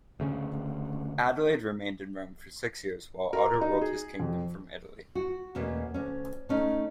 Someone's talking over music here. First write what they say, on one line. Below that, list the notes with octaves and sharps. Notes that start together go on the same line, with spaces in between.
Adelaide remained in Rome for six years while Otto ruled his kingdom from Italy.
D2 C#3 A3 C#4
A#4
D#4
G#4
F2
F#4
E2 B2 A3 A#3 C#4
D2 C#4
A3 C#4 D#4